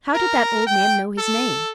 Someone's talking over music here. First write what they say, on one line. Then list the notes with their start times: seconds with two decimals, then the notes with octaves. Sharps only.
How did that old man know his name?
0.14 A#4
0.67 G5
1.18 A4